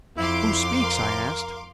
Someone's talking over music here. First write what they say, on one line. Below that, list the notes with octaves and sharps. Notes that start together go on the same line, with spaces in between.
"Who speaks?" I asked.
F2 E4 F5 C6 D6
A#4